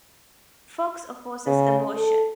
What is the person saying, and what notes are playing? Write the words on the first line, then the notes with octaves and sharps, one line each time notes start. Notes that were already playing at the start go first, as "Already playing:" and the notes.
Foxx opposes abortion.
C#3
A4